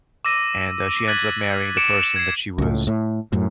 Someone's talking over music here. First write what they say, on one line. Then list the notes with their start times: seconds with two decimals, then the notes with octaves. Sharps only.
and, uh, she ends up marrying the person that she was
0.25 D6 E6 A#6 D#7
1.08 F#6 G#6 A6 B6 D#7 F#7
1.77 D6 C#7 D7 E7
2.16 G#6 C7
2.58 C#2 A2
2.87 A2
3.32 F#2 A2